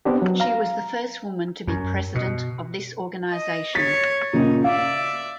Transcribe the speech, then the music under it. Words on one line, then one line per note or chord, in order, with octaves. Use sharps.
She was the first woman to be president of this organization.
B3 C4 D4 G4
F#3
F5 A#5
F#2
B2
D#5
C#5 A6 B6
A#2 C#3 A#3 D#4
D5 E5 F5